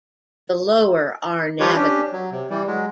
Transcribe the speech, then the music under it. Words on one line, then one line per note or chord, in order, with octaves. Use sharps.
The lower are navigable.
F3 G3 F4 G4 B4 C#5
C#4 D4 G4
F#3
C3
E3 G3
F#3 G#3